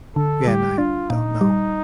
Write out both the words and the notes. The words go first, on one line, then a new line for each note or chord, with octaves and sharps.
Again I don't know.
D3 A4
G3 G4
D4 F4
A#2 D#4
G3